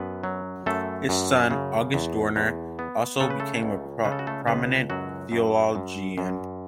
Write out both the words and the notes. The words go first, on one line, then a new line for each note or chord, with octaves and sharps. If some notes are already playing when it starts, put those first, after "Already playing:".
His son, August Dorner, also became a prominent theologian.
Already playing: F#2 B3 B4
F#3
F#2 A3 A4
F#2
C#3
E2
E2
B3
C#3 A4
B4
A3 A4
C#2
C#3 B4
A4
F#4
A3 A4
C#2 B3 B4
F#2 F#3 F#4
F#2
F#2
F#2